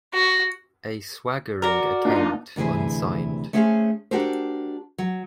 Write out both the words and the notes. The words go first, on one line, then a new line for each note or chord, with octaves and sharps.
A swaggering account, unsigned.
F#4
F#4 A#4 D5
A#3 D4 D#4 F4
D2 C3 E3 G#4 C5
A3 C#4 G#4 C5 F5
D4 F#4 G4 A4 A#4 C5
F#3